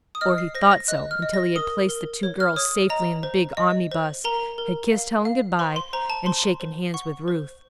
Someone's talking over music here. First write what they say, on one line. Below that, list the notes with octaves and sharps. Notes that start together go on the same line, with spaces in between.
Or, he thought so until he had placed the two girls safely in the big omnibus, had kissed Helen good-bye, and shaken hands with Ruth.
D#6
D#5 F6
C7
C5 A#6
A#6
D#5 F#6
F6
D#5
A#6
A#4 D#6
A#4
C#5
F6
C#5 D#6
D#5 A#5
C5
D#5
C5
A#4 A#5
A#4
F5
F5
C5 C6
C6
C5 A#5
A5
C5 C6
C5
F#5 C#6
C5